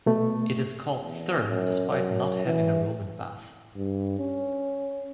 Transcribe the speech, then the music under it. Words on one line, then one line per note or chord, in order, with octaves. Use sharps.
It is called Therme despite not having a Roman Bath.
B2 A3
E2
F#2
F#2
E3
G2
C#4